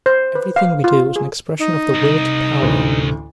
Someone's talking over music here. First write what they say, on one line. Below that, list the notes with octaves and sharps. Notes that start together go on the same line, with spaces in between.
Everything we do is an expression of the will to power.
C5
B4
F5
F4
G#4
D#4
C2
A1 D2 D3